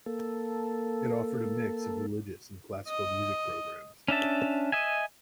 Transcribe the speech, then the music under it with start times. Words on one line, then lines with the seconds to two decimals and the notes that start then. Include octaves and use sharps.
It offered a mix of religious and classical music programs.
0.06 A#3 A4
2.88 D#5
4.08 C#4 D4 E5 A5
4.72 D#5 E5 G#5